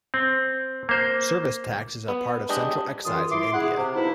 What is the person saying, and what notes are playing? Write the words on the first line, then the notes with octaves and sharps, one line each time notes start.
Service tax is a part of Central Excise in India.
C4
A#3 C5
B3
G#3 D4 G4 D#5
C#2 F#2 E3 F4 C6 D#6
E4 C6 D6
E4 G#4 F#5
C3
B2 F3 D#4 E4